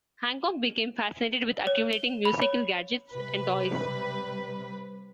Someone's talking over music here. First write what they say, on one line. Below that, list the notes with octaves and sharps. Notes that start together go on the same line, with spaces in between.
Hancock became fascinated with accumulating musical gadgets and toys.
C#5
G7
B5
C#5
C3 G3 B4